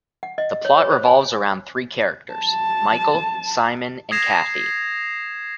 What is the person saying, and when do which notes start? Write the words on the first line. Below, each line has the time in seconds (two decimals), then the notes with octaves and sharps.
The plot revolves around three characters, Michael, Simon, and Cathy.
0.23 F#5
0.38 D#5
0.65 C#5
0.78 C#5
0.91 C5
1.05 G#5
2.33 A5
4.11 D#6 G#6 A#6 C7 E7 F7